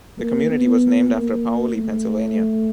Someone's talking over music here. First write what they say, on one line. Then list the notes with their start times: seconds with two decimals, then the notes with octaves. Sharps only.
The community was named after Paoli, Pennsylvania.
0.19 A#3
0.50 B3
1.11 A#3
1.73 A3